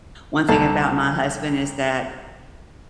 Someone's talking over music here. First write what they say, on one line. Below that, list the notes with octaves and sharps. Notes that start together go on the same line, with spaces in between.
one thing about my husband is that,
C2 A4 A5